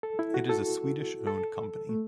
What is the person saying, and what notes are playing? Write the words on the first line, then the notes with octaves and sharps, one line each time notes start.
It is a Swedish owned company.
A4
E4
F#4
A4
A4
A3